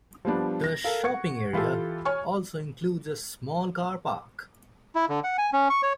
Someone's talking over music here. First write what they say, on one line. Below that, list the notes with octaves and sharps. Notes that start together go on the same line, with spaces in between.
The shopping area also includes a small car park.
F3 G3 B3 D4
A#6
A4 A#4 F5
F#5 C#6 G#6 C#7
E3 F4 G4 A4
C#5 G#5 C#6 F6
E4
D3
F#5
G#5
C#4
C#6
C#5